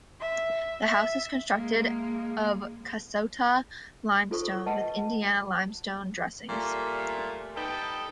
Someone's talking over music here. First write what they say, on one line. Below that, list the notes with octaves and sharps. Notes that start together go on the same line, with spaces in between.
The house is constructed of Kasota limestone, with Indiana limestone dressings.
E5
E5
G#3 A#3
F4 A4 C5 C#6 D#6
B4 D#5 F#5 A5
A#2 G3 A3
G3 B3 D#4 A4 G5